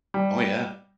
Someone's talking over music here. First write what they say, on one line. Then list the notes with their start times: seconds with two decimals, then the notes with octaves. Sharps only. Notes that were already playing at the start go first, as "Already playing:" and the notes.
Oh, yeah.
0.14 G3